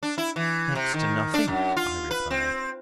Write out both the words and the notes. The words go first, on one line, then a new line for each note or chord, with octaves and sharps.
"Next to nothing," I replied.
D4
E4
E3
C3
D#3
D4
F#2
F4
B4
C4